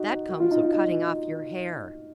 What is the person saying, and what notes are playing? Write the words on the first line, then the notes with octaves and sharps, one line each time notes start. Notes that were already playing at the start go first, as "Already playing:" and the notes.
"That comes of cutting off your hair."
Already playing: D#4 F#4
F#4
F4
D#4
F4
D#4